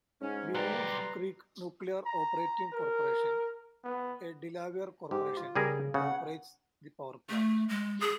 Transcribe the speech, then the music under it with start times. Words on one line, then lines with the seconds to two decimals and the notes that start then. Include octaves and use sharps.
The Wolf Creek Nuclear Operating Corporation, a Delaware corporation, operates the power plant.
0.22 G#2 C#4
0.55 B1 G3 G4 B4 D5 A#5 C6
2.06 A#5
2.73 A#4
3.84 B3
5.11 G#2 G4
5.37 F4
5.56 C#3 G3 G#4 A#4
5.94 C#3 F#5
7.30 A3
7.69 G#3
8.01 G#4